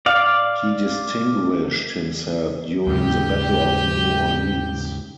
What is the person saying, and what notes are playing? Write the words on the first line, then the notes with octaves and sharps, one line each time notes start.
He distinguished himself during the Battle of New Orleans.
D5 F5
D#2 G#2 C#3 G4 G5